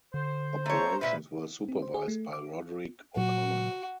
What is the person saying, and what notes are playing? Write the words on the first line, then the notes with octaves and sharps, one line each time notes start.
Operations were supervised by Roderic O'Connor.
D3 C5
A3 C#5 A#5
A#2 F3 B4 E5
C4
C5
G#4
A3
D6
A#2 F#3 F#4